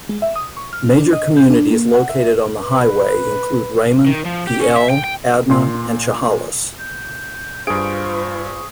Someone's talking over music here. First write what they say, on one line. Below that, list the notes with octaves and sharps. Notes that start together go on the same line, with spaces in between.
Major communities located on the highway include Raymond, Pe Ell, Adna and Chehalis.
G#3
E5
D#6
C#6
F6
D4
D#5
G6
D4
A#3
F#5
E5
B4
D#3
F3
G4
C#4
E5
G5
G5
A#2 C6
G6
G2 F4 G#4 C5 C#6 D7